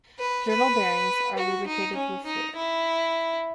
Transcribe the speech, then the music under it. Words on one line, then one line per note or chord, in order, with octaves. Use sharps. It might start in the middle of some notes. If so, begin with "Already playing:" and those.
Journal bearings are lubricated with fluid.
B4
B4
F#4
D#4
C#4
D#4
E4